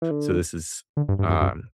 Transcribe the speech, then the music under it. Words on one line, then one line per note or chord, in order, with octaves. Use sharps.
So, this is, um,
E3
D3
D3
G2
G2
F#2
F#2